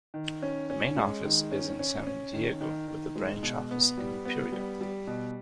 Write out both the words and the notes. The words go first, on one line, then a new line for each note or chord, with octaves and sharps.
The main office is in San Diego, with a branch office in Imperial.
D#3
C#4
C#4
G#3
D#3
C#4
C#4
C#4
D#3
D#3
D#3
G#3
B2
B3
G3
B3
G3
G3
B2